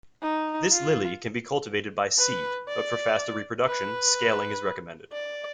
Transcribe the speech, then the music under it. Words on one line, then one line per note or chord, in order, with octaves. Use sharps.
This lily can be cultivated by seed, but for faster reproduction scaling is recommended.
D#4
F4
B4
D5
B4
D5